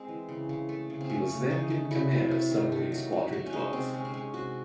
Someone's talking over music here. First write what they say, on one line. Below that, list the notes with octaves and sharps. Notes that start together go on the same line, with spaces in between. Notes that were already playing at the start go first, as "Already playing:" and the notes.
He was then given command of Submarine Squadron Twelve.
Already playing: G#3 C4
E3
C#3
C#3
A3
C#3
C4
A3 C#4
C#3
C#3 D#4
A3
F#3 E4
C3
A3
D#3
A3
F#3
F#3
F#3
C#4
G#3 D#4
C3 C4
G#3 C#4
C4
G#3 C#4
C3 F#4